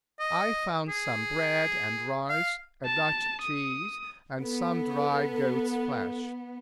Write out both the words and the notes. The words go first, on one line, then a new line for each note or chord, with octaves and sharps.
I found some bread and rice, a Dutch cheese, and some dry goat's flesh.
D#5
G#4
F5
A5
D#6
B3 A4